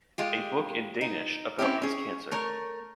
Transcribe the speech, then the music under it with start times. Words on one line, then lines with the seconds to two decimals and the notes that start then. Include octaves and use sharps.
A book in Danish about his cancer.
0.18 G#3 F4 G4
1.01 D#4
1.59 C4 C#4 E4 G4
1.82 C#4 G#4
2.31 A3 A#4 C#5